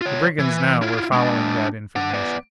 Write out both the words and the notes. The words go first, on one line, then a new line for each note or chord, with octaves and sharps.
The brigands now were following that information.
F4 C#5
E3
E4 F4
G#3 D4
D4 F#5
B3 D5